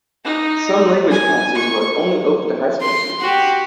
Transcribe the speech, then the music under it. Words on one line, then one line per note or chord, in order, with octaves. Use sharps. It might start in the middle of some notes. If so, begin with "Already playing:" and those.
Some languages classes were only open to high school students.
D#4
G#5
C#6
C6
F#4 G4